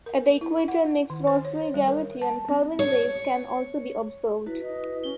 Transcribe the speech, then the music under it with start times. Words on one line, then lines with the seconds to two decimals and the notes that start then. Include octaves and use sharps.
At the equator, mixed Rossby-gravity and Kelvin waves can also be observed.
0.06 A#4
0.41 E4
0.68 F#5
1.10 D#3
1.27 C5
1.45 C#5
1.74 G3
1.87 A#4
2.22 A5
2.49 C4
2.79 C#5
4.46 E4 F#4 B4
4.62 D#5
5.04 C#4 G7